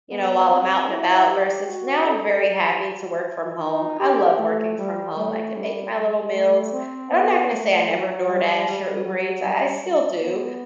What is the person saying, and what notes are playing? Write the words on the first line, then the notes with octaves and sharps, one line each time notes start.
you know, while I'm out and about, versus, now I'm very happy to work from home. I love working from home, I can make my little meals, and I'm not gonna say I never DoorDash or Uber Eats, I I still do,
B3
C4
E4
G4
F#4
A4
G4
F#4
D#4
G4
A3
G3
A3
G3
A3
C4
B3
A3
F#3
G3
G3
F#3
G3
B3